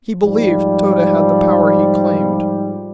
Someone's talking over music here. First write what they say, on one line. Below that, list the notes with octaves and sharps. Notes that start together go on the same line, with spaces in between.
He believed Tode had the power he claimed.
G#2 F3 G3